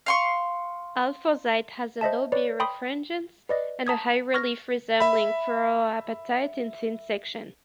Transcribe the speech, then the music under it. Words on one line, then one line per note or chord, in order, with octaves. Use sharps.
Alforsite has a low birefringence and a high relief resembling fluorapatite in thin-section.
F5 C6 C#6
C5 D#5 E5 A5
B4 C#5 D5
G5 B5 C6 D#6
B4 D5 D#5
A5 A#5 D#6 G#6
C#6 F6 G#6 A#6
E5 B5